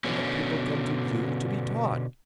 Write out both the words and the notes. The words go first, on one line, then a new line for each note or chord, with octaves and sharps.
And the people come to you to be taught.
B2 D3 C#4